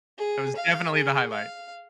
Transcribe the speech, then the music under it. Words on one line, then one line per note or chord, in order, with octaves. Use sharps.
That was definitely the highlight.
G#4
F5
G#4
F5